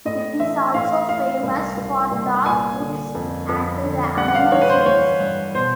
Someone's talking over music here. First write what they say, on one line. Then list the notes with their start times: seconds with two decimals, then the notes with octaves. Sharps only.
It is also famous for dark woods and the animals inside.
0.05 A2 D#5
0.40 E3 E5
0.74 A2 F5
1.09 A2 F5
1.43 C2
1.77 C2
2.12 C2
2.46 A#2 G#5
2.80 D3
3.15 F2
3.49 F2
3.83 D3
4.17 G3 F#5
4.28 F#5
4.35 F5
4.52 E3 C#5
4.61 B4
4.69 C5
4.81 C5
4.86 E3 C#5
5.20 G2
5.55 B2 C5